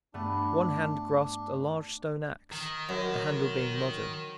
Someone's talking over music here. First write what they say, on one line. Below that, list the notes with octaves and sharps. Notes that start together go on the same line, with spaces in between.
One hand grasped a large stone axe--the handle being modern.
G2 A3 B3 D4
D#3
F#2